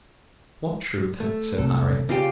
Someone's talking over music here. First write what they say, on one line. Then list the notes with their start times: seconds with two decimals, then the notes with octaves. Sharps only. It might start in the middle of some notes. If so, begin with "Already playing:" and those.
"What truth?" said Harry.
1.20 A3
1.58 C2 A2 A4
2.09 C#3 F4 G4 D5 C6 D6